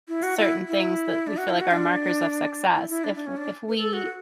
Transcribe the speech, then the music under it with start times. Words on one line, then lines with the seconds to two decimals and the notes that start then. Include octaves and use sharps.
certain things that we feel, like, are markers of success. If if we
0.09 E4
0.23 F#4
0.38 E4
0.68 E4
1.27 D4
1.37 F#4
1.49 E4
1.61 F#4
1.71 D4
2.75 E4
2.89 E4
3.04 D4
3.16 D4
3.26 C#4
3.37 D4
3.69 B4
3.77 A4
3.93 F#4